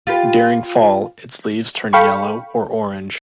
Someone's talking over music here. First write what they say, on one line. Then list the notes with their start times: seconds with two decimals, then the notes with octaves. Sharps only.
During fall, its leaves turn yellow or orange.
0.07 F4 G4 B4
1.93 A4 F5 G5 B5 C#6